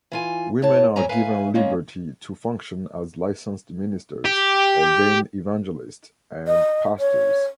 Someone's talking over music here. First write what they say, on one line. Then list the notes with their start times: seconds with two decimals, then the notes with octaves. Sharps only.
Women are given liberty to function as Licensed Ministers, Ordained Evangelist, and Pastors.
0.12 E3 F4 G#5
0.62 A2 C#5 A5
0.96 G#2 F#3 G3 G#5 A#5
1.09 B4 E5 F5 G#5 A#5
1.55 G#3 A#3 C#4 E4
4.25 G4
6.47 D#5
6.99 C#5